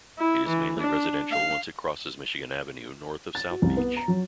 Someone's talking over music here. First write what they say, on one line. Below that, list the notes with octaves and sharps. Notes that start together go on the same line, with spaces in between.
It is mainly residential once it crosses Michigan Avenue north of South Beach.
E4
E3
D4
F5
A6
F#4
C2
B3
A#5
F#3